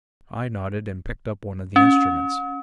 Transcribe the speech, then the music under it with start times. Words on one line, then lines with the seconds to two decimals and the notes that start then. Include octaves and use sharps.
I nodded, and picked up one of the instruments.
1.76 C#4